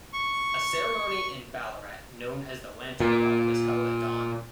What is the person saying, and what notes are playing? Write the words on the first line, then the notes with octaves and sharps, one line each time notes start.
A ceremony in Ballarat known as the lantern walk was held at dawn.
C#6
A#2